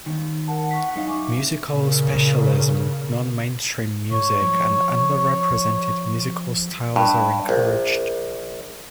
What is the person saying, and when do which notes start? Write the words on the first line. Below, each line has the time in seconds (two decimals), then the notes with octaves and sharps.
Musical specialism, non-mainstream music and under-represented musical styles are encouraged.
0.06 D#2 D#3
0.48 A#4 F#5 A5
0.71 C#6 B6
0.95 F#2 D#4 F5
1.07 E5 G#5 C#6 D6
1.70 A#2 C#3
4.12 G#2 C#5
4.42 F3
6.96 G2
7.49 A#1